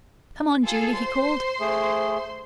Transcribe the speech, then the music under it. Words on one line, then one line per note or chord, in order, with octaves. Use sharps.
"Come on, Julie," he called.
F4 G#4 A4
C5 C6
A3 G#4